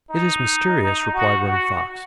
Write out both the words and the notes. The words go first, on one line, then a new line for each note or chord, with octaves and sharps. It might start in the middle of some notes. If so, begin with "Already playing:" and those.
"It is mysterious," replied Running Fox.
D#4
D#4
F#4
F#4